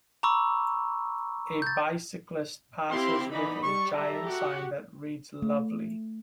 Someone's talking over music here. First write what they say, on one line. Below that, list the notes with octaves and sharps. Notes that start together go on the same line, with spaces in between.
A bicyclist passes with a giant sign that reads lovely.
A#5 B5 C#6 D6 E6
G6 A6
C4 E4 G4 F5 C6
E3 B3 D#4 D5 D#5 B5
G3 C#6
A4 E5 A#5
F#4 G4 F#5
A3